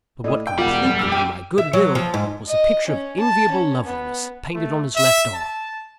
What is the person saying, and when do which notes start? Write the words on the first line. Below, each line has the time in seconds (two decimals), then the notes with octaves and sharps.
But what completely won my good-will was a picture of enviable loveliness painted on his left arm.
0.24 A2 D5 D#5 D#6
0.47 G5
0.58 E1 G3 F4 F#5
0.82 F#1
0.99 E6 F6
1.12 G5
1.58 E5
1.73 F#3
1.95 F3
2.14 G#2
2.48 D#5
2.87 C#4
3.19 A5
3.51 C#4
3.85 B3
4.55 A3
4.95 E5
5.34 A5